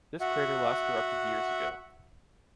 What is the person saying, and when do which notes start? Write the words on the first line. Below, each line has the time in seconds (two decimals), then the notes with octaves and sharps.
This crater last erupted years ago.
0.21 F#4 E5 F#5